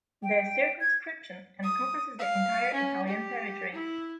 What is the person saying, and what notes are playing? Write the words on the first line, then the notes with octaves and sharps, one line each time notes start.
The circumscription encompasses the entire Italian territory.
G5
G#6
D#6
F5
C#4
G4
E4